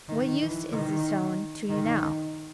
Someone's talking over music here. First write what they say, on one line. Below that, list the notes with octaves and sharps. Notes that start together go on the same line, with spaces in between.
What use is the stone to you now?
D#3
E3
D#3
D#3